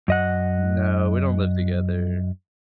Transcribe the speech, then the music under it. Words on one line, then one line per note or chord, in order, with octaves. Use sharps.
No, we don't live together.
F#2 D#5 F#5